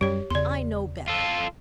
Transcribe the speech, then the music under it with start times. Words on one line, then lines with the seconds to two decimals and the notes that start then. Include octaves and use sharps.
I know better.
0.01 F#2 G3 G4 C#5
0.30 E2 C#3 D5 C6
1.08 F4 A4